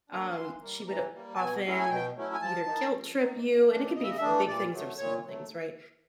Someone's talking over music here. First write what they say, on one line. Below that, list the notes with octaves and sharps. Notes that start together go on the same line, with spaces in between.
Um, she would often either guilt-trip you, and it could be f big things or small things, right?
A#3 D4
C#6
E3 C6
G3 A#3
E3 A#5
G3 A#3
A5
B2 G#5
F#3 A3 C#4 E4
G#5
B2 G5
F#3 A3 C#4 E4
G#5
F3 A5
A#3 D#4
F3
A#3 D#4
C#3
E3 A3 D4
C#3 D#5
E5
D#5
E5
E3 A3 D4 D#5
A#2 D5
F#3 A3
A#2 C#5
F#3 A3